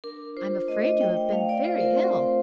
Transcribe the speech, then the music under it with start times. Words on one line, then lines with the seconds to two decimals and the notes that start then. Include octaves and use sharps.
"I am afraid you have been very ill."
0.04 D4 A#4
0.36 F4 C5
0.68 A3 D#5
0.85 D#5
1.01 A3 G5
1.17 G5
1.32 A3 F5
1.49 D5
1.64 F4 C5
1.80 A#4
1.97 C4 C5